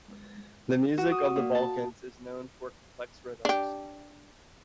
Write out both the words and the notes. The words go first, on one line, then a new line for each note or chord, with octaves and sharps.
The music of the Balkans is known for complex rhythms.
F#4
D#6
A#2
A5
D4 G4